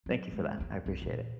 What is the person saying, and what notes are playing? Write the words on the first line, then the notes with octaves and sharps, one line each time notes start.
thank you for that. I appreciate it.
F#3
G#3
E2 A#3
C2
E2 A#2